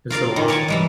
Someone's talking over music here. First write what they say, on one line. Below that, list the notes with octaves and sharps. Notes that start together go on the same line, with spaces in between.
was so awesome.
F4 A#4 D5 F5
D#3
A#4 B4 C#5 D5 G#5 A5
E3 G3 G#3